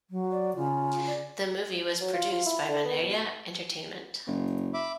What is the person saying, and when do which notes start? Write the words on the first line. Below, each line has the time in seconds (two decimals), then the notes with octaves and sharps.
The movie was produced by Bandeira Entertainment.
0.10 F#3
0.31 D5
0.56 C#3 F4
1.07 D5
2.01 F#3
2.13 F4
2.32 F4
2.46 E4
2.68 D3
2.85 B3
3.03 B2
4.27 F#1
4.74 E5 B5 D6